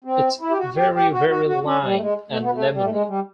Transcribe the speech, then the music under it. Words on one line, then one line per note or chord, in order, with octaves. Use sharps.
It's veri veri Lime and Lemoni.
C4
E4
G4
F#4
G4
G4
F#4
F#4
F#4
C#4
G3
A3
G#3
A3
B3
A3
G3
A3
G#3
G3